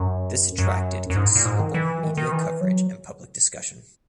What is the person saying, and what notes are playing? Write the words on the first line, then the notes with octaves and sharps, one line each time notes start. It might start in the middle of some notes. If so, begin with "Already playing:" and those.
This attracted considerable media coverage and public discussion.
Already playing: F#2
F#2
F#2
G#2
A#2
G#2
D#3
E3
D#3
D#3
E3
F#3